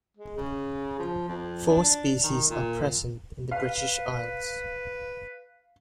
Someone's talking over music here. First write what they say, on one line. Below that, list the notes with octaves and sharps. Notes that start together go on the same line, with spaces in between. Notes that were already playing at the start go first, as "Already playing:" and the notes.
Four species are present in the British Isles.
G#3
C#3
F3
F2
D4
D#3
A#2
B4 F5